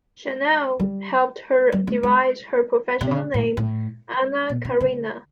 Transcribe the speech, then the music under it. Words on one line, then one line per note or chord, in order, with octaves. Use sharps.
Chanel helped her devise her professional name, Anna Karina.
G3
G3
A3
G#3
C3
C#3
A2
A2
B2
C3
C#3